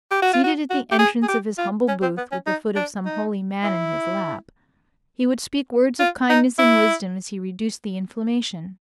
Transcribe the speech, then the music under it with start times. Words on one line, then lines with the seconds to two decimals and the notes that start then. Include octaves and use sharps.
Seated at the entrance of his humble booth, with the foot of some holy man in his lap, he would speak words of kindness and wisdom as he reduced the inflammation.
0.11 G4
0.22 F#4
0.33 F4
0.44 F#4
0.70 F#4
0.91 G4
0.99 G#4
1.23 G#4
1.28 G4
1.58 F4
1.88 C#4
2.02 C4
2.17 B3
2.32 C#4
2.47 D#4
2.76 D4
3.06 D#4
3.64 E4
5.99 F4
6.30 D#4
6.59 E4